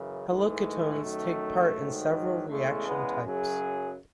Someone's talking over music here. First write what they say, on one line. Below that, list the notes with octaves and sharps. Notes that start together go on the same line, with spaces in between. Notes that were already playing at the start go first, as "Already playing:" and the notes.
Haloketones take part in several reaction types.
Already playing: F#2 C#3 E3
G#2 E3 G#3 A3
F#2 D#3 F#3
G#2 D#3 F#3
E2 C#3 G#3 A3
B3
F#2 C#3 F#3 G#4